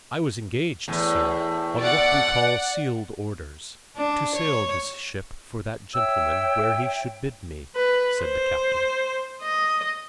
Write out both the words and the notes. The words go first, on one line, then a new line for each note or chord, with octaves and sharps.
"I was engaged, sir, on what we call sealed orders, to sail this ship for that gentleman where he should bid me," said the captain.
E2 A2
D5 F#5
D4
C#5
C#5 E5 G5 E6
B4
C5
D#5